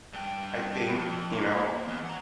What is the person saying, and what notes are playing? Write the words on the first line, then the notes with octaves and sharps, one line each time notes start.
I think, you know,
G2 G5
F2
A#3
E2
F#5 A#5